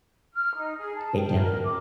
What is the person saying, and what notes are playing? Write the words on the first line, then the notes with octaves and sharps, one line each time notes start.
It does.
F6
D#4
G#4
A5
G5
A#4
D6